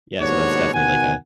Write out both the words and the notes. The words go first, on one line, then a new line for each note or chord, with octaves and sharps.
Yeah, so that's definitely like a
D#2 G#2 B2 D4 F#4 C#5
B2 D#3 F#5 G#5